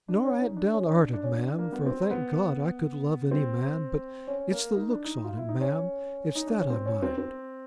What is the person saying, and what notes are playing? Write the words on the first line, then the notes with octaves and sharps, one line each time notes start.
'Nor I han't down'arted, ma'am, for thank God I could love any man, but it's the looks on it, ma'am; it's that I mind.'
D4
C#4
D#4
D4
C#4
D4
D4
C#4
D4
A#3
B3
C4
B3
C4
C#4
A#3
D#4
D4
D#4
F4
E4
D#4
C#4
D#4
D4
C#4
C4
C#4
C4
C4